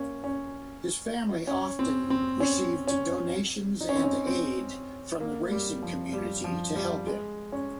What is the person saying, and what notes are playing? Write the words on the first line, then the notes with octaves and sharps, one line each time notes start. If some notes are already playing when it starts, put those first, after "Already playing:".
His family often received donations and aid from the racing community to help him.
Already playing: A#3 C#4
C#4
C#4
C4
C4
C#4
C#4
D#4
C#4
C4
C#4
C4
A#3
G3
F3
G3
F3
G3
G#3
C#4